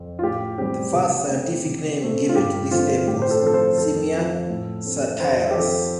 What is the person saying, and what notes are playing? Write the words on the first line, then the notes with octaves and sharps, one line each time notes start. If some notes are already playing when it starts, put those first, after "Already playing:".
The first scientific name given to this ape was "Simia satyrus".
Already playing: F2
F4
A2 G4
G3 C4 G4
C3 G4
A3 C4
C3
A3 C4
F4
G2 G4
D3 A3 C4 F4
A2 G4
C5
A4
F3 C4 A4
C5
F2 A4
F3 C4
A2
A3 C4
F2 C5
G4
F3 C4 A4